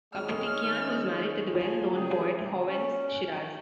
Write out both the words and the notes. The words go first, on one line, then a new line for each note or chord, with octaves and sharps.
Kaputikyan was married to the well-known poet Hovhannes Shiraz.
G#1 G#3 G#4 C#5 F6
D#3
F3 G#5
C#3 G4 G#4 D5
C#4